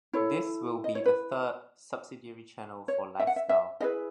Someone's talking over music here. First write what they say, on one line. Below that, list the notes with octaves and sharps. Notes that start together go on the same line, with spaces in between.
This will be the third subsidiary channel for LifeStyle.
E4 A4 C#5
D#5
C#5
B4
C#5
E5
F#5
E5
E5
E4 G#4 B4 D#5